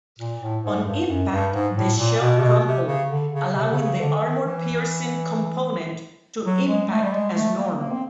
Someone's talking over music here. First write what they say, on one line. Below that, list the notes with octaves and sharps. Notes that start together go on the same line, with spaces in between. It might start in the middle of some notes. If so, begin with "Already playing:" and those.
On impact the shell crumpled, allowing the armour-piercing component to impact as normal.
A#2
A2
G#2
G2
F#2
G2
G#2
A2
A#2
B2
C3
B2
C3
C#3
D3
C#3
C3
D3
C#3
D3
D#3
E3
F#3
G#3
A3
G3
G#3
A3
A#3
A#3
C4